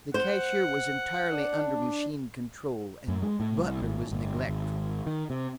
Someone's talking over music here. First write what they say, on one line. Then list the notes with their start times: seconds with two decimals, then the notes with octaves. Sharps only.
The cashier was entirely under machine control, and Butler was neglectful.
0.14 C5 F#5
1.31 D4
3.08 F#2
3.22 G#3
3.40 A2
3.58 C2
3.83 G#1
4.11 G1
4.48 G#1
5.07 D#3
5.30 C3